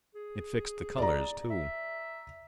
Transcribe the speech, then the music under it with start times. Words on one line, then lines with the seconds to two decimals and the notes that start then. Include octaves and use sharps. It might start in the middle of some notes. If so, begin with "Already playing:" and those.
It fixed the colors, too.
0.15 G#4
0.98 D5 A#5
1.50 E5